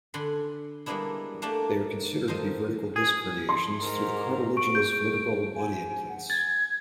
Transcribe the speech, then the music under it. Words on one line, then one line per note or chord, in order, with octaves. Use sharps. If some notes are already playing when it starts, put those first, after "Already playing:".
They are considered to be vertical disc herniations through the cartilaginous vertebral body endplates.
D3 A4 F#5 G#5 B5 C6
G3 G#3 A#3 B3 D4 E4
A3 A#3 D4 G5 A5
D#3 F3 D#4 A4 C5 D#5
G#4
C6
G#2 A#4
C#6 D7
G#4 G6
G#5
F#5
G#6 A6